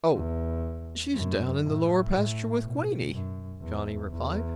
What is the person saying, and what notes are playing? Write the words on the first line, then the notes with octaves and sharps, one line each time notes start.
"Oh, she's down in the lower pasture with Queenie," Johnny replied.
E2
F#2
A2
A2
B2
F#2
E2
E2